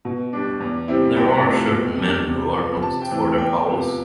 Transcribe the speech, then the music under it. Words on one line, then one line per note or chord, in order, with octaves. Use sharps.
There are certain men who are noted for their powers.
B2
G3 D4
E2
C3 G3 C4 E4
C2 G5
C3 F3 A3
B2
G3 D4
C3
F3 B3
C3 A5
G5
E3 A3 C4 E4
E2 G5
C3 F3 B3